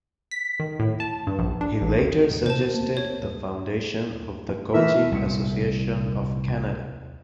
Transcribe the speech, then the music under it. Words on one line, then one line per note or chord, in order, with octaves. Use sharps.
He later suggested the foundation of the Coaching Association of Canada.
B6
D#3
A2
A5
G2
A#1
D4
A1
D2
C3 C5 A5
A#3
C#5
E3 A3 A#4 E5
C2 A#2